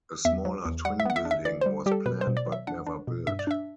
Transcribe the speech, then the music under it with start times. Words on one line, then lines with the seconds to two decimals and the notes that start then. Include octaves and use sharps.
A smaller twin building was planned but never built.
0.25 E2 E5
0.45 F#3
0.65 E2
0.85 G3 F#5
1.00 E5
1.05 B3 F#5
1.16 E5
1.25 D4
1.31 E5
1.45 E3 D5
1.61 C5
1.66 G3
1.86 G3 G4
1.92 A4
2.06 B2 B4
2.21 C5
2.27 B2
2.37 D5
2.46 F#3
2.52 E5
2.67 D4 F#5
2.87 D4
3.07 B2
3.27 G2 E5
3.39 D5
3.47 D4 E5